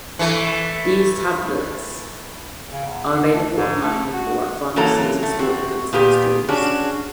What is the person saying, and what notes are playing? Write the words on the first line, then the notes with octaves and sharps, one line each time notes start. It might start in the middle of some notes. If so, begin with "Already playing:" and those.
These tablets are available online or at pharmacies and sporting goods stores.
E3 A3
C#3
E2
D3
A3
G#2
A3
F#4
E3 F#3 A#3 A4 A#5
A3
C4 F#4
A#2 B3 G4 G#4
C#4 D4 F#4 G#4